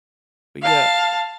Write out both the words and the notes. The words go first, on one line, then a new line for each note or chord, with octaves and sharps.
But yeah
F5 A5